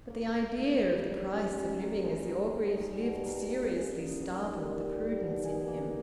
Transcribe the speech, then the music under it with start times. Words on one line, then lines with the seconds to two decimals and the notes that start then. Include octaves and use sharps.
But the idea of the price of living as the Orgreaves lived seriously startled the prudence in him.
0.10 A#3
0.34 C#5
0.58 D#4
0.83 G3
1.07 G3
1.31 C#4
1.55 G#3
1.81 A#4
2.04 D#4
2.28 D#3
2.53 D#3
2.77 G3
3.01 B2
3.26 A#4
3.50 A#3
3.74 C#3
3.98 D#4
4.22 G3
4.47 D#3
4.70 D#3
4.95 G3
5.19 B2
5.44 G#4
5.68 A#3